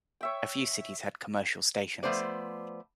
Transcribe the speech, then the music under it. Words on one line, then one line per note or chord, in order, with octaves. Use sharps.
A few cities had commercial stations.
C#5 E5 G5
F3 A3 B3 C5 D5